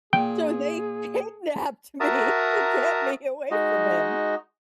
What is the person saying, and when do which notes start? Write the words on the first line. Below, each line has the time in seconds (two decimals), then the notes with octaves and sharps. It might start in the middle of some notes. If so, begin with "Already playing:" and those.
So, they kidnapped me to get me away from him.
0.13 A#2 G#4 G5
2.00 F#4 A#4 E5 A5 A#5 D#6
3.51 G#3 D#4 F#4 D#5